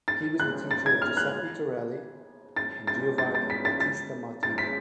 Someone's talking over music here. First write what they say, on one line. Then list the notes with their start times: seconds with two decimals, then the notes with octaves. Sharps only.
He was the teacher of Giuseppe Torelli and Giovanni Battista Martini.
0.08 A6
0.40 F#6
0.71 A6
0.86 G#6
1.02 F6
1.17 F#6
2.56 A6
2.87 A6
3.18 A6
3.35 A6
3.50 B6
3.65 A6
3.80 A6
4.43 A6
4.58 B6